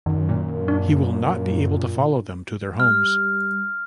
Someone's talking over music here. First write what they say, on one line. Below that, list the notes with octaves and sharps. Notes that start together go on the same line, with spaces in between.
He will not be able to follow them to their homes.
F#2 D#3
A#2
D4
G3 F6